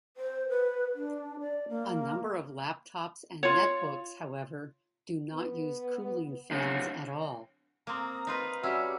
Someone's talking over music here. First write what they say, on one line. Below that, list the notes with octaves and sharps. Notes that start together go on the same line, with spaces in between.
A number of laptops and netbooks however do not use cooling fans at all.
C5
B4
D4
D5
A#3
F4 C#5
B3
A2 D3
A#3 C4 A#5 D#6
D#4 F4 B4
G3 C#4 F#4 G4 E5 F#5